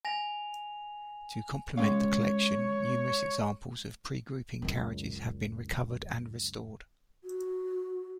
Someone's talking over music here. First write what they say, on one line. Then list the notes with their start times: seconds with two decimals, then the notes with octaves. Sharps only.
To complement the collection, numerous examples of pre-grouping carriages have been recovered and restored.
0.05 G#5 A#6 F7
1.78 G#3 C#4 C#5 F5
4.62 C#2 F#2
7.24 F#4